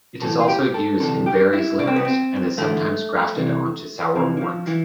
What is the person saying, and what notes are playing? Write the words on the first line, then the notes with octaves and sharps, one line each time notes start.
It is also used in various liquors and is sometimes grafted onto sour orange.
B1 A2 E3 A4
F4
G4
A4
D2 C3 E3 A4
G4
E4
C2 B2 D4
C4
B3
C4
E2 D3 A3
C2 C3 E3
F2 C3 E3 F3
E3
F3
E3